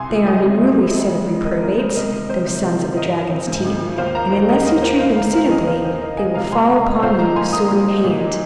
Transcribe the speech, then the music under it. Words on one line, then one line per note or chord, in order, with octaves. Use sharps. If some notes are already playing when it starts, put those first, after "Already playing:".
They are an unruly set of reprobates, those sons of the dragon's teeth; and unless you treat them suitably, they will fall upon you sword in hand.
Already playing: C2 G#5 C6
F3
G#3 D#5 G#5
C3
C2
F3
F2
G#3
D#4
D#3 A#4 D#5
F2 A#4
G#3 C5
C2 A#4 D#5
D#3
C4 C5
C3 C5
C2
D#3
G#1 A#4 D#5
F3
C4
G#2
G#1
F3
D#2 C5 F5
A#3 F5 A#5
D#4 C5
D#3 A#4 D#5
D#2 A#4 D#5
A#3 C5
F1 C5 F5
D#3 F5 A#5
C4 F5 A#5
D#2 D#5 G#5
F1 C5 F5
D#3 C5
C2 A#4 D#5
G#3 D#5 G#5
C2 F5 A#5
A#2 G#5 C6
C2 F5 A#5
G#3
A#2 C5 F5
D#4 F5 A#5
A#2 G#5 C6
A#3 A#5 D#6
A#2
D#4
A#2
D#4